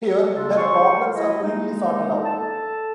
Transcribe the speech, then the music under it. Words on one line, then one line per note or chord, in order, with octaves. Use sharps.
Here, her problems are quickly sorted out.
C#3 A#3 D4 F4 A4
G#4 C5 C#5 F5 C6 C#6
E4 D#5
G#3 A#3 D#4
A4 A5